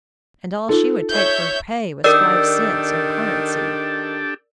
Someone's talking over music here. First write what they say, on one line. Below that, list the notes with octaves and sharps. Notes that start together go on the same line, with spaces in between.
And all she would take for pay was five cents in currency.
D#4 F4 A4
C#5 E5 G6
D#3 D4 G4 A4 A#4 D5 E6